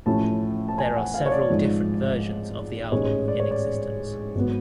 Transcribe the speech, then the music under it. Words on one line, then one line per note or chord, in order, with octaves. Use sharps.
There are several different versions of the album in existence.
A1 A2 F3 A3 C#4 A5
A5
G#5
F#5
F5
C#5
D5
G#1 G#2 F3
A1 G#2 G#3 C#4 C#5
D5
C#5
D5
G#1 F#3 B3